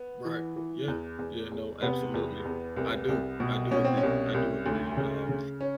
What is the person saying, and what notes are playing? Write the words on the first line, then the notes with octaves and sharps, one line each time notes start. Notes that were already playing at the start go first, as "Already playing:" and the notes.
Right. Yeah. Yeah, no, absolutely. I do. I do agree, I do agree, um,
Already playing: B3
E3
E3
E2
E2
E2
C3 B3
E2
E2
C2
C2
B2
B2 C#4
C4
C#4
C2
C2
D2
C#3
C#3
C#4